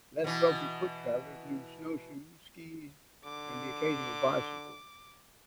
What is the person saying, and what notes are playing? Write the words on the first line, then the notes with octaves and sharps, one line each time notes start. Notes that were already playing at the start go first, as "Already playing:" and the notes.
Less wealthy foot-travelers used snowshoes, skis, and the occasional bicycle.
B2 E3
D3 D6